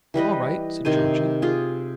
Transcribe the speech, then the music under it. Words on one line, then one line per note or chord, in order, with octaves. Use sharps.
"All right," said Georgie.
E3 G3 B4 D#5
C3 D#3 C5 G#5
F4 G#4